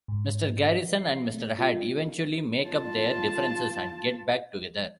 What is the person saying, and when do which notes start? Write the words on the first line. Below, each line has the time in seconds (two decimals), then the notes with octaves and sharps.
Mr. Garrison and Mr. Hat eventually make up their differences and get back together.
0.08 G#2
0.98 C7
1.34 A3
1.59 F4
2.66 F4 A5